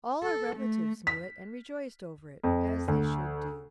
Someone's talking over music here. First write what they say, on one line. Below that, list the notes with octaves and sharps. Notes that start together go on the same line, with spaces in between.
All our relatives knew it and rejoiced over it, as they should do.
A4
A3
B6
F2
D2